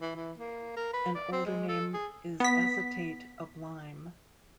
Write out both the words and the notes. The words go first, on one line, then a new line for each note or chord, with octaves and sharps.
An older name is acetate of lime.
E3
E3
A#3
A#4
B4
D5
C4
G#3
A4
G#4
B3 B6